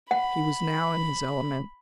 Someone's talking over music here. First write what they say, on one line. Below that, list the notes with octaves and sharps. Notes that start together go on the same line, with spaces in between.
He was now in his element.
F#5 B5